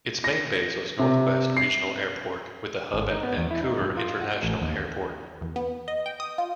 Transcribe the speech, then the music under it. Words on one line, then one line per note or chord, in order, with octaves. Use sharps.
Its main base was Northwest Regional Airport with a hub at Vancouver International Airport.
A#6
C3
C7
G#1
D#4
B3
E2
E4
D#4
G2
F4
F#5
A1
D#2
E2
B3
D#5
G5
D#6
F4